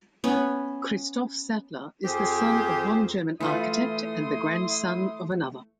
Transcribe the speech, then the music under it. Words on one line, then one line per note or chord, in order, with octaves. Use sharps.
Christoph Sattler is the son of one German architect and the grandson of another.
B3 C#4
F2 G4 G#4 C5
E3 A3 E4 F4 B4 C6 D#6